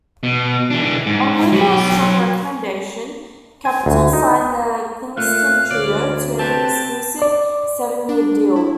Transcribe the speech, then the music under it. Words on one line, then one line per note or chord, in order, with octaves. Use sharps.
On Gilmore's strong recommendation, Capitol signed the Kingston Trio to an exclusive seven-year deal.
B2
E3 D4
G#2
F#3 B5
G#5
D2
D#4
A#2 A3 F5 F#6
D2 C#5 D5
C4 G4 B4 A5
D5
D4
E4